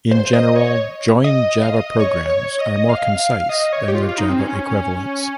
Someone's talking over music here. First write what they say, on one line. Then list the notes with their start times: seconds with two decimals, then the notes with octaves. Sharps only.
In general, Join Java programs are more concise than their Java equivalents.
0.11 C5
0.34 D#5
0.56 C#5
1.24 D#5
1.63 F5
1.69 D#5
2.00 C#5
2.29 C#5
2.59 D#5
2.89 F5
3.19 F5
3.49 D#5
3.73 C#5
3.88 G4
3.95 F4
4.09 F4
4.18 D#4
4.29 C4
4.39 C#4